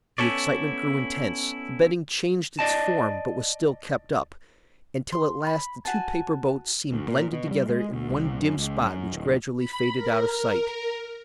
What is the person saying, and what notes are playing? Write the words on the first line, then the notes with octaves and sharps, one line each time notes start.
The excitement grew intense; the betting changed its form, but was still kept up, until at last the two paper boats seemed blended together in one dim spot which gradually faded out of sight.
B3 C#4 E4 A4 C#5 D5
D5 D#5 A5
C6
B5
F#4 G#5 A5
D2
A#2
B2
G3
G#3
D2
C2
F#2
C#2
F#2
D1
B5
A#4